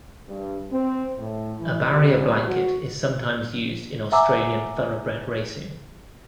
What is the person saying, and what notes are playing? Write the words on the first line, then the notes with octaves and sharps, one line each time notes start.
A "barrier blanket" is sometimes used in Australian Thoroughbred racing.
G2
C4
A2
E3
C2
F#4
E5 F#5 G#5 A#5 D6 E6